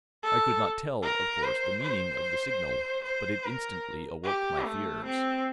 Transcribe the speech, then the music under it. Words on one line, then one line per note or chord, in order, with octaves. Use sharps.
I could not tell, of course, the meaning of the signal, but it instantly awoke my fears.
A4
A#4
C5
C5
C5
A#4
G4
A3
C4